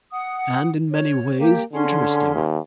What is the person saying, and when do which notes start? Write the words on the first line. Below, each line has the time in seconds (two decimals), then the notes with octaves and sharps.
And in many ways interesting.
0.12 F#5 D#6
0.91 C#5
1.39 A#3 G4
1.73 D3 C#4 G#4 C6
2.35 D#2